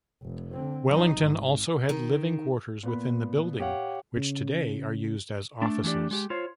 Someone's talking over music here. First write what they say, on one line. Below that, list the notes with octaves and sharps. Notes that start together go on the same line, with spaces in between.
Wellington also had living quarters within the building, which today are used as offices.
F1
D3 C4
F#3 D#4
G#1
D#3
A#2 B3 B5
G4 C#5 F5 F#5
C#3
A3 D4
E3 A3 D4 G4 D5
G#3 G4
F4 C5 C#5